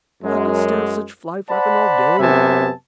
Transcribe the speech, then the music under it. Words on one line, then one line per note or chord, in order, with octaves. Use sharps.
I could stan' such fly-flappin' all day.
F#2 G#3
C5 D5 F#5 A5 B5
F#2 C3 B3 E5 G#5 A5